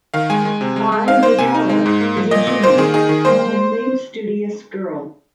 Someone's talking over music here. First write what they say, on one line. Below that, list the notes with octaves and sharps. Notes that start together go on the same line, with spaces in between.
Ai Maekawa is a "jimi", a homely, studious girl.
D#3 F5
G#3 G#5
G#3
C3
G#3
G#3
D#4 F5
A#3 C5
C3 G#5
D#4
G#3
G#2
A#3
F3
A#2 D#5
A#2
A#3 C5
D#3 G#4
D#4 G#4
D#3
A#3 C5